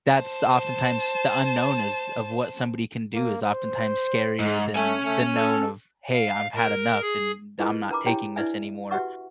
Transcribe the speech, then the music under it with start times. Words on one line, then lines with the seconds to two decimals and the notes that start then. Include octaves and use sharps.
that's oftentimes the unknown is of what somebody can do is oftentimes scarier than the known of, "Hey, I've had enough, and I'm not taking this anymore."
0.13 C5 A5
3.14 A#3
3.42 C5
4.40 G#2
4.76 A3 C#4 G#5
5.05 A3
5.35 A4
6.12 F5
6.55 A#4
7.01 G#4
7.59 E4 F4 G#4 A#4 B4 D#5
7.90 D4 A#4 B4 A#5 B5 D6
8.06 D4 E4 G4 C#5 G5 A#5
8.36 D4 E4 B4 D5 E5 G#5
8.91 F#4 G4 B4 E5 F#5 C#6